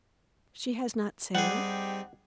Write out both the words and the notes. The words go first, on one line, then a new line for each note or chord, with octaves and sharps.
"She has not sailed?"
G3 C4 D#4 G4 G#4 F#5